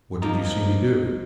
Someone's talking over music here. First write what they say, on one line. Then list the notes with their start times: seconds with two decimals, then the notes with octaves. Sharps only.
"What did you see me do?"
0.22 F3 A#3 D#4